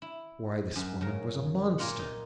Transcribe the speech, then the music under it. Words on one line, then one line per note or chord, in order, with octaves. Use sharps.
Why, this woman was a monster!
E4
F#2
C#3 A#4
A#2 A#3 F4 F#5
D#4